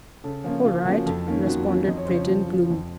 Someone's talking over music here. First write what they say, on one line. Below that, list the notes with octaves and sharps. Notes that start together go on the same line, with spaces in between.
"All right," responded Breton, gloomily.
C#3 A4
F3 A#3 C#4 F4
C#3 F4
F3 A#3 C#4 F#4
F2 A4
D#3 A#3 C#4
F2 F#4
D#3 A#3 C#4 F#4
F2 D#5
C#5
C#3 F3 C5
C#5
F2 C5
C#3 F3
F2